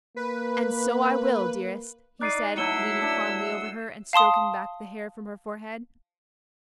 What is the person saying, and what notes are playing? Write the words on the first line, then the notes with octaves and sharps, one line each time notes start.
"And so I will, dearest," he said, leaning fondly over her, and stroking back the hair from her forehead.
A#3 B4
D#4 D5 F#6 C7 D#7
F#3 A3 E4 E6 C#7 G7
D4 E5
F5 A5 C6 D#6